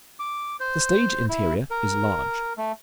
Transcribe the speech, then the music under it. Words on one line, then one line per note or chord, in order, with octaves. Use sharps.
The stage-interior is large.
D6
C5
E4
A#4
A3